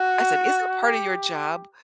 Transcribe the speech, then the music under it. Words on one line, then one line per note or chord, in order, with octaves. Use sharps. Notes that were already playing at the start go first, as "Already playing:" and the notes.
I said, "...isn't part of your job
Already playing: F#4
G4